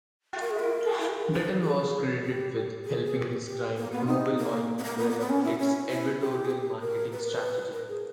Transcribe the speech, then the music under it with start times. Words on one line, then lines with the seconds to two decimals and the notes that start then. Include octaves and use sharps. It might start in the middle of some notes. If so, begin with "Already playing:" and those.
Dutton was credited with helping his client Mobil Oil develop its "advertorial" marketing strategy.
0.41 A#4
0.50 G#4
0.59 A#4
1.00 E4
1.09 G4
1.17 G#4
1.25 A#4
1.33 B4
1.63 G#4
2.24 G4
2.85 G#4
3.05 G#4
3.16 G4
3.46 G4
3.77 A#3
3.92 B3
4.07 D#4
4.38 A#3
4.78 B3
4.84 A#3
4.98 B3
5.10 A#3
5.20 B3
5.30 C#4
5.44 E4
5.59 C#4
5.90 E4
6.21 G4
6.45 G#4
6.51 G4
6.81 A#4
7.12 B4
7.19 A#4
7.28 B4
7.73 A#4
7.88 G#4